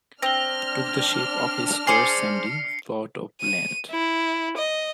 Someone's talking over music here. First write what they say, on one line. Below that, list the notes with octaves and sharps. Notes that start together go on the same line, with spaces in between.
Took the shape of a square sandy plot of land.
C4 D4 F6 A#6 F7 G7
G#4 C5 D5 C7 C#7
D#7
E4
D#5